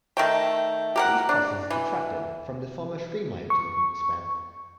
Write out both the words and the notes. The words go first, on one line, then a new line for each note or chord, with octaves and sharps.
These trusses detracted from the former streamlined looking span.
D#3 A3 G5
G4 A#4 F#5
D4
E3
C#6